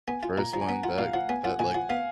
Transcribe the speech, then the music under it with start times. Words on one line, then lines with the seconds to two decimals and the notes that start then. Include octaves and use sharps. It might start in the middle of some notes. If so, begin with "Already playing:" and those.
First one that that, like,
0.08 B3 G#5
0.23 F4
0.38 A#2 A#5
0.53 F3 A#5
0.61 G#5
0.68 B3 F#5
0.84 F4 F#5
0.98 A#2 F5
1.14 F3 F#5
1.29 B3 G#5
1.44 F4 F#5
1.59 A#2 G#5
1.74 F3 F#5
1.89 B3 F5